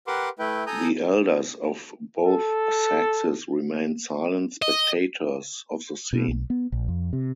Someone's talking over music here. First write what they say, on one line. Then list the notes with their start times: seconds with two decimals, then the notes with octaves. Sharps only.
The elders of both sexes remained silent spectators of the scene.
0.07 G4 A#4 B4 F#5 C6 D6
0.39 A3 E4 B4 G5
0.67 A4 G#5 A#5 D#6 G6
2.25 A4
4.62 D#5
6.13 B2
6.28 B1
6.50 B3
6.72 A#1
6.88 F2
7.13 C3